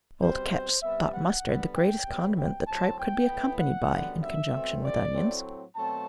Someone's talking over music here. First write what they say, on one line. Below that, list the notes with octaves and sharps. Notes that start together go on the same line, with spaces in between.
Old Ketch thought mustard the greatest condiment that tripe could be accompanied by, in conjunction with onions.
B2 G3 C4 C5
C5
C3 G3 B3 E5
F#5
D3 G3 B3
G5
C3 F#3 B3
G5
A2 F#3 C4 A5
G5
A2 E3 B3
F#5
F#2 D3 G3 B3
E5
B2 A3 C4
D5
A2 F#3 A3 C4
B2 F#3 A3 C4 A5